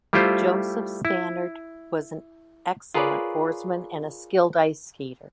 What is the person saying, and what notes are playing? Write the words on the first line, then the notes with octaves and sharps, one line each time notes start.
Joseph Stannard was an excellent oarsman and a skilled ice-skater.
G3 A3 E4 F4 G4 C5
E4
F4 G#4 A#4 B4 C#5 D5